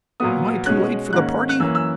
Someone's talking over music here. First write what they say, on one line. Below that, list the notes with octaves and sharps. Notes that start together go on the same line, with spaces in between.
"Am I too late for the party?"
A#2 F#3 B3 D#6
B2 G#3 C#4 F#6
G#2 D#3 A#3 C#4 F#6
F#6
F#2 E3 A#3 C#4 E6
E6